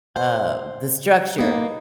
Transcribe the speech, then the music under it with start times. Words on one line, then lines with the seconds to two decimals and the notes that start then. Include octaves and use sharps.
uh, the structure
0.16 C5
1.38 C3 A#3 B3 D#4